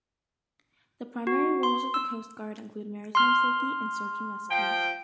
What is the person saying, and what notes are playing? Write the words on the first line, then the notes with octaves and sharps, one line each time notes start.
The primary roles of the Coast Guard include maritime safety and search and rescue.
F#4
C6
E6
C6 F6
F3 G5